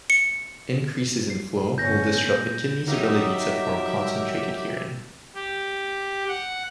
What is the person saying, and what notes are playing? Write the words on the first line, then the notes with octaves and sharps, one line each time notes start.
Increases in flow will disrupt the kidney's ability to form concentrated urine.
C#7
C7
G1 C#4 G6 A#6
A#2 G6
F#3 D#4 G4 A#4 E5
G4
F#5